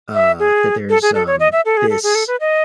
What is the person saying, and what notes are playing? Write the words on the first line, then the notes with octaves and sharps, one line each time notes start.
uh, that there's, um, this
E5
G#4
A4
G#4
A4
C#5
D#5
E5
A4
G#4
A4
G#4
A4
B4
D#5